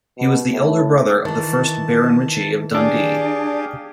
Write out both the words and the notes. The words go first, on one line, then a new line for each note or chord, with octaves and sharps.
He was the elder brother of the first Baron Ritchie of Dundee.
B2
A2
D#3 E3 A5
D4 G4 G#4 F5